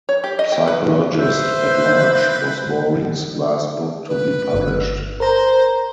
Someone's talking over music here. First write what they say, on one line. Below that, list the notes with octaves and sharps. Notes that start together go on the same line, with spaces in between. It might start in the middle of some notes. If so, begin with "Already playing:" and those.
"Psychologist at Large" was Boring's last book to be published.
C#5
G4
D#5
G5
B4
B4 C5 E5 G6
B4
G1
A#4 C5 A#5